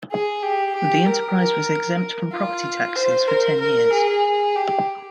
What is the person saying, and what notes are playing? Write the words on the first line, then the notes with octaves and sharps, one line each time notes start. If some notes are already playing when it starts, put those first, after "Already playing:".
The enterprise was exempt from property taxes for ten years.
G#4
G4
G4
A#4
A#4
F4
C5
A#4
A#4
G#4
G4